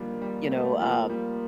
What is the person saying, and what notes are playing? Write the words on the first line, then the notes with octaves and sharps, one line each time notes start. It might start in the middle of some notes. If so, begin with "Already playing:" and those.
you know, um,
Already playing: D3 D#3 F3 G3 A#3
G3
A3
F3
G3